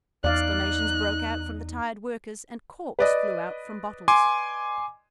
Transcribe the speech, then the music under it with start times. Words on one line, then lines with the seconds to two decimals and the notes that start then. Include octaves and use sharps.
Exclamations broke out from the tired workers, and corks flew out from bottles.
0.24 E2 D#4 D5 F5 F#6
2.99 B4 D5 D#5
4.08 G#5 C6 D6